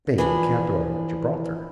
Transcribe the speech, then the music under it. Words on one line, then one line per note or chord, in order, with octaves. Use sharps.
"Spain--capital, Gibraltar."
E3 F3 D4